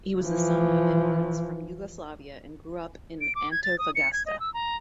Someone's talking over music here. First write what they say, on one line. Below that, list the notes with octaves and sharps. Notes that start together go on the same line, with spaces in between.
He was the son of immigrants from Yugoslavia and grew up in Antofagasta.
E3 F3
D7
D6
G#6
A6
D#6
C#7
G#6
D#5
E6
A#5